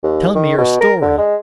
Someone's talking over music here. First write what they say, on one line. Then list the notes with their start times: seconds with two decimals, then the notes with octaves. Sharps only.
Tell me your story.
0.03 D#2
0.35 D#3
0.58 B2
0.81 A#4
1.01 D3
1.18 G#3